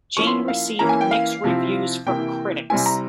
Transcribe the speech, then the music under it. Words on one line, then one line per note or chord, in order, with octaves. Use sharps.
Jane received mixed reviews from critics.
F3 A#3 C#4 E4 C#6
C6
F5
E3 A#3 C#4 E4 A#5
G#5
G5
F5
C3 F3 C4 E4
C3 E3 A#3 E4 G5
C3 G3 C4 E4 G#5
A#5